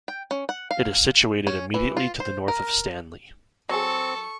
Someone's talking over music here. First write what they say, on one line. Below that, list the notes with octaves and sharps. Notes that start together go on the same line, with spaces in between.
It is situated immediately to the north of Stanley.
G5
C#4
F#5
F5
C#4
E3
F4
C5
A#4
F#3 C4 G#4 A4 C#6